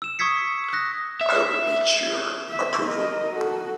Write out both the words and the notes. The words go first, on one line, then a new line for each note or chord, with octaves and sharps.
I hope it meets your approval?
E6 E7
C#6 D#6 E6 G#6 B6 C#7
D#6 F#6 A#6
E5
E5
A#4 D#5
F#4 A4